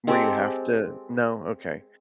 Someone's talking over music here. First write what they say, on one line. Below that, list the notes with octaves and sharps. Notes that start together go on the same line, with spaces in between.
Where you have to No? Okay.
G#3 C4 G4 A4